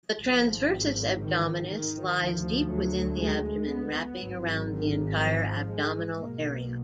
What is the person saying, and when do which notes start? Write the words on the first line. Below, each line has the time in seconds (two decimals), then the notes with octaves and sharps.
The transversus abdominis lies deep within the abdomen, wrapping around the entire abdominal area.
0.18 G#1 G#2 F3
1.18 D#3
1.67 D#3
2.17 D2 F3
2.67 F#3
3.16 G#3
3.66 B3
4.15 G#1 G#2 F#3
4.66 D#3
5.15 F3
5.65 G#3
6.15 B1 B2 A#3